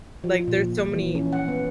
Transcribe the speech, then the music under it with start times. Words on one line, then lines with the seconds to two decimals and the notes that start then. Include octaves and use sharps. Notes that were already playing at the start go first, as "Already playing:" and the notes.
Like there's so many
0.24 F3
0.48 A#2
0.92 E3
1.15 C#4
1.33 F#5
1.48 B3